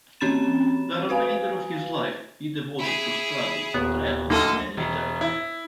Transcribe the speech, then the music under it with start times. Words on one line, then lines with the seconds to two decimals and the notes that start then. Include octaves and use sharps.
The remainder of his life he devoted to study, travel and literature.
0.20 E3 C4 C#4 B5 A6 E7
1.09 F#4 B4 F5 G#5
2.79 E4 G#4
3.74 D#1 B3
4.30 D2 D3 A#3 A4 D#5
4.77 E1
5.21 E4